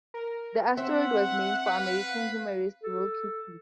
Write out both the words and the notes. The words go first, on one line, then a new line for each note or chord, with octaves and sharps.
The asteroid was named for American humorist Will Cuppy.
A#4
C4 E5 F#5
B4 F5
A4